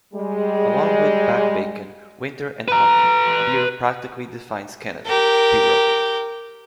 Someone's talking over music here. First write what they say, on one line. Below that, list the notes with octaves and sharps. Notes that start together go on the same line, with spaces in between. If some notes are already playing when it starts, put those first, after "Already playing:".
"Along with back bacon, winter and hockey, beer practically defines Canada," he wrote.
G3 G#3
B4 A#5
G4 A#4